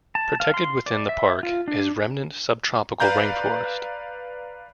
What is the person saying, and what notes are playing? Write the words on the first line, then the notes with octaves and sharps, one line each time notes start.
Protected within the park is remnant subtropical rainforest.
A5
F5
C6
D5
E5
F4
D4
B4 D5 F5 A#5 G6